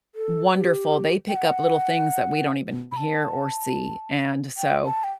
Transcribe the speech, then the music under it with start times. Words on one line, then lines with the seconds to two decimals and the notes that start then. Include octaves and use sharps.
wonderful. They pick up little things that we don't even hear or see, and so,
0.15 A4
0.55 G4
1.28 G5
1.36 F#5
2.92 B5
2.97 A5
4.58 G5
4.85 A5
5.04 G5